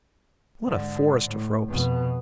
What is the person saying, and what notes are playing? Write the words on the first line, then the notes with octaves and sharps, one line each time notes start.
What a forest of ropes!
G#2 D3
A2
F2 B2